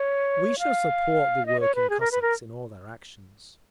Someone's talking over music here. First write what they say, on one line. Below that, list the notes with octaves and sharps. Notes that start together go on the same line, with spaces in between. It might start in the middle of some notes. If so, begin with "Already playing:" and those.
We shall support the working Cossacks in all their actions....
Already playing: C#5
F5
D#5
C#5
B4
G#4
A#4
B4
A#4